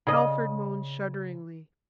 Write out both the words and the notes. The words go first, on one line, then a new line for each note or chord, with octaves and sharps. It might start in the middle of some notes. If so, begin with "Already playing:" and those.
Telford moaned shudderingly.
C#3 D#5